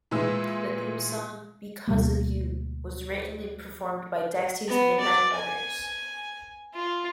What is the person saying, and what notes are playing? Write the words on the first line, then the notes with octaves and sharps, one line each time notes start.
The theme song "Because of You" was written and performed by Dexys Midnight Runners.
A#2 E3 G#3 E6
D2 B2 G3 A#3
B3
D5
G#5
F4